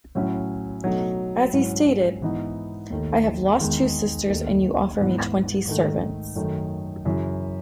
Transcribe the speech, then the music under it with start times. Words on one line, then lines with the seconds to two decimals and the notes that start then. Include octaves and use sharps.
As he stated; 'I have lost two sisters and you offer me twenty servants.
0.15 A2 F#3 C#4 E4
0.84 B2 F#3 A3 D#4
1.53 G#2 F#3 C#4 E4
2.22 G#2 E3 B3 D#4
2.90 D#2 D#3 A3
3.59 E2 D#3 G#3
4.29 D#2 D#3 A3
4.99 G#2 E3 B3
5.67 G#2 D#3 A3
6.36 F#2 D#3 A3
7.05 F#2 C#3 E3